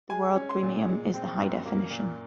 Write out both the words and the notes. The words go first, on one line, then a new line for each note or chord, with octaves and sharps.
The World Premium is the high definition.
G#3 G#5
C#4
C6
A#2
G#3
C4
F#2
A#3
A#2